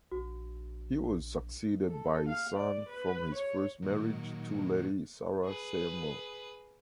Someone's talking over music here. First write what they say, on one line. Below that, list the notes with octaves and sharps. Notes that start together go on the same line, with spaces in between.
He was succeeded by his son from his first marriage to Lady Sarah Seymour.
A#1 F#4
A4
F5
D5
B4
C#5
A#2 D#3 F#3
G#4 B4